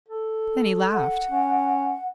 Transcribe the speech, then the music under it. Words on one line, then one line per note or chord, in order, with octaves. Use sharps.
Then he laughed.
A4
F#5
C#4